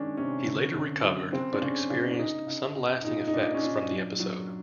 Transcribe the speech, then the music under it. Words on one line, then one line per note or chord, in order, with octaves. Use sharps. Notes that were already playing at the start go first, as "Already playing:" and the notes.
He later recovered, but experienced some lasting effects from the episode.
Already playing: D#3 G#3 C#4 D4
C3 C#4
D3 C#4
D3
F#3
C#3 C4
D4
C#3 C#4
C#3 D4
D4
C#3 D#4
C#3
C#3
A#2 D#4
D#4
A#2 D4
C#4
A#2 D4
F#3
F#3